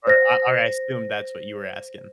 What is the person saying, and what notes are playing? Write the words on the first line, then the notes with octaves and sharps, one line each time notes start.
Or I or I assume that's what you were asking.
C5 A#6